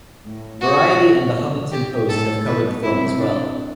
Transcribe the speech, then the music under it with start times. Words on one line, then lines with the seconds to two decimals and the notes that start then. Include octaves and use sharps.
Variety and The Huffington Post have covered the film as well.
0.24 A2
0.61 B2 F#4
1.72 G4
2.09 A2 A4
2.45 B2 B4
2.82 C3 E4
3.20 D4